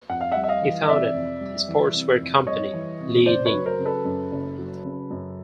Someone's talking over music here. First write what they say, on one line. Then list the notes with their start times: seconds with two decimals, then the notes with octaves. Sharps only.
He founded the sportswear company Li-Ning.
0.09 F2 F#5
0.21 F5
0.32 G3 E5 F#5
0.44 E5
0.48 D#5 F5
0.62 E3
0.83 D#5
0.88 C3 D5 E5
1.14 F2
1.41 G3
1.68 E3
1.94 C3
2.21 F2
2.47 G3 C#5 D#5
2.73 E3
3.00 C3
3.26 F#1 C5 D5
3.46 B4 C#5
3.52 F#3
3.66 A#4 C5
3.79 C#3
3.85 A4 B4
4.05 F#2
4.32 F#1
4.58 F#3
4.85 C#3
5.10 F#2